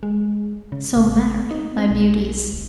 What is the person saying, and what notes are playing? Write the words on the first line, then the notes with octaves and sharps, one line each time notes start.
So, marry, my beauties.
G#3
C#3
A1
D#4
C4
B1
D1